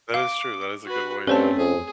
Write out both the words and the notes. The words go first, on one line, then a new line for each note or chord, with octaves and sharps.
That is true. That is a good way to
F5 D6
F#4 B4
G2 A3 C4 C#4 C5 C#5 A5
F2 G#4